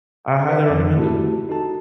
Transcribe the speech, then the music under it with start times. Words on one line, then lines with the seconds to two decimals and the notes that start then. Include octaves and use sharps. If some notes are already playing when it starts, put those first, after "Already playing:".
I highly recommend it.
0.48 B4 C#5 E5
0.70 F2 D#3
0.96 A3 E4 F#4 G4 A5
1.49 D#4 F#4 A4 A5